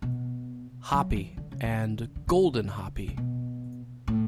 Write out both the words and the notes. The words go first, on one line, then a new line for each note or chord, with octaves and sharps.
"Hapi" and "Golden Hapi".
B2
F#3
E3
D3
C#3
D3
D3
C#3
C#3
B2
A2